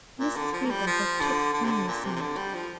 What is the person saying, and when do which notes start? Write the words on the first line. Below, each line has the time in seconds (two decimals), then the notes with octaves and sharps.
Mrs. Fairbrother took in this note.
0.20 A#2
0.36 D3
0.54 F3
0.65 A#3
0.70 G3
0.87 F3
1.20 D3
1.54 D3
1.65 C3
1.71 D3
1.88 A#2
2.04 C3
2.16 C3
2.21 D3
2.37 G3
2.54 F3